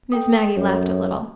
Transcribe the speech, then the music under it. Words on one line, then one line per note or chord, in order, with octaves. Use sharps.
Miss Maggie laughed a little.
A4 G5 D#6
F#2 A4 C#5